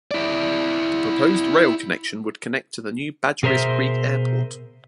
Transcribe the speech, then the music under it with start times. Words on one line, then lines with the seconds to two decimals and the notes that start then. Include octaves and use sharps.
The proposed rail connection would connect to the new Badgerys Creek Airport.
0.11 E4 D5
3.43 B2 G#4 A#4 C5 E5